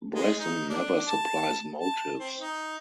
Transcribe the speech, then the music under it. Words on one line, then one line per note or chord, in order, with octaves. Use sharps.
Bresson never supplies motives.
G#3
D#4
D4
A5
A5
C4
D#4